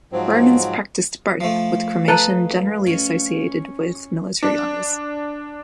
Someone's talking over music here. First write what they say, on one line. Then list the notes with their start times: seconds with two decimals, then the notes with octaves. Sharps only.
Romans practiced both, with cremation generally associated with military honors.
0.12 G#2 F3 F#3 C4
1.40 F3 A3
2.08 A4 B4 D#5 A5 A#5 F#6
2.86 C#4
4.43 D4